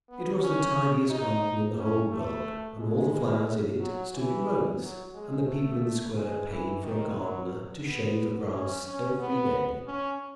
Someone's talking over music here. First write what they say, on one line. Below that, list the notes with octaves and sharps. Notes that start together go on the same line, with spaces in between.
It was the tidiest garden in the whole world, and all the flowers in it stood in rows; and the people in the Square paid for a gardener to shave the grass every day.
B3
C#4
D#4
C#4
A3
G#3
F#3
E3
F#3
G#3
A3
G#3
E3
D#3
F#3
B3
C#4
C#4
B3
C#4